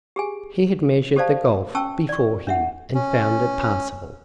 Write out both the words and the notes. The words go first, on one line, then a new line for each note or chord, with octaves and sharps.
He had measured the gulf before him and found it passable.
G4 G#4 G#5
G4 A4 C5 D5 F5 A5
C#4 G5 A5 C#6 E6
D5 C#6
D4 E5 F#5
C#4